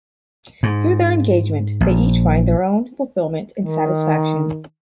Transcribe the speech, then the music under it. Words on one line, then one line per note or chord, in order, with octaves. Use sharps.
Through their engagement, they each find their own fulfillment and satisfaction.
G#2
A#1
D#3